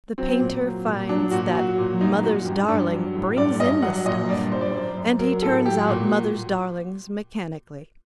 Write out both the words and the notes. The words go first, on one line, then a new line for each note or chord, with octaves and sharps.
The painter finds that "Mother's Darling" brings in the stuff, and he turns out Mother's Darlings mechanically.
F#3 C4
A#2
F#3
A#2
F#3 D4
A#2 F#4
F#3 F#4
A#2
F#2 D#4
F#2 F#4
G2 G4
G2 D4
F#3
A2
G2 D5
G2 D#5
F#3 F#5
A#2 D#5
G2 D5
G2 C5
D5
F#2 C5
F#2
F#3 A#4
A2 A4
F#3 G4
A#2 F#4